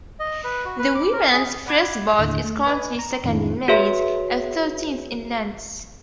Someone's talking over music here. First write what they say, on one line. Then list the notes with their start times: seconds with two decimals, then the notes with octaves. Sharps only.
The women's first boat is currently second in Mays and thirteenth in Lents.
0.20 D#5
0.44 B4
0.65 F#4
0.79 B4
0.95 D6
1.12 A#4
1.32 G#4
1.66 D5 F#5 B5 D6 G#6
2.19 D#2 A2 D3
2.44 A3
2.66 B4 D5 D#5 G#5
2.99 A#5
3.24 F2 A2 D#3 C4 D4 E4
3.68 F#4 G#4 B4 C#5 E5 C6